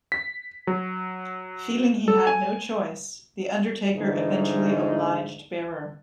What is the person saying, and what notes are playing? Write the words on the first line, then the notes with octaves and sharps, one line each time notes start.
Feeling he had no choice, The Undertaker eventually obliged Bearer.
B6
F#3
A4
G#5
G#2 D3 E3 F3 D#4